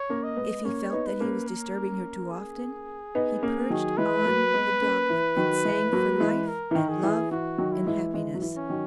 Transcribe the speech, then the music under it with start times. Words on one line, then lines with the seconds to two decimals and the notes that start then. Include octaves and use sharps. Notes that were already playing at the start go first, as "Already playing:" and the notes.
If he felt that he was disturbing her too often, he perched on the dogwood and sang for life, and love, and happiness.
Already playing: C#5
0.10 A#3 C#4
0.23 D#5
0.37 G#3 B3
0.65 A#3 C#4 C#5
0.93 B3 D#4
1.06 B4
1.20 A#3 C#4
1.48 A#4
2.32 G#4
3.15 B3 D#4
3.42 A#3 C#4
3.70 D#3 F#3
3.98 E3 G#3 B4
4.26 F#3 A#3
4.54 G#3 B3
4.81 A#3 C#4
5.09 E3
5.37 D#3 F#3
5.64 E3 G#3
5.92 F#3 A#3
6.20 E3 G#3
6.48 A#4
6.71 E3
6.75 D#3
6.89 G#4
7.03 E3
7.31 E3 F#4
7.58 D#3 F#3
7.72 E4
7.86 E3 G#3
8.14 E3 G#3
8.34 F#3
8.42 E3
8.56 C#4
8.70 D#3 F#3